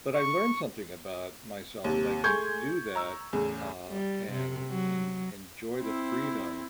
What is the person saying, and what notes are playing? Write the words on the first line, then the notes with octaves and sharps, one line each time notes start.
but I learned something about myself that I can do that, uh, and en enjoy the freedom
C#6
D#2 C3
A3 G#4 C6 C#6 G6 G#6
A#5 E6
E2 A2 C#3
G3
C3
F#3
C4 E4